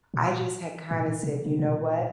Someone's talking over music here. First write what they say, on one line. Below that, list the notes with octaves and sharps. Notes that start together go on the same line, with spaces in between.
I just had kinda said, "You know what"
A#2
A2
A#2
C3
C3
C3
A#2